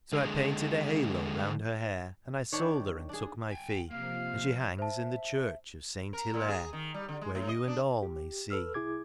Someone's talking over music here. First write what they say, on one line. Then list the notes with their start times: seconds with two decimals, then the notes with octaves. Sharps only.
So I painted a halo round her hair, And I sold her, and took my fee, And she hangs in the church of Saint Hilaire, Where you and all may see.
0.12 D3 G#3
2.52 D#3 D4 C#5 G5
3.09 D4 G#4
3.51 G5 G#5
3.91 C3 F3 A#3 F5
4.79 C5 E5 A5
6.13 A#4
6.34 A#2
6.49 G#4
6.73 D#3
6.94 G3
7.09 D3
7.21 G#3
7.35 A2
7.48 D#5
7.68 D4
8.03 G4
8.50 A4 B4 E6 F6
8.74 C2 E4 G#4 D6 G#6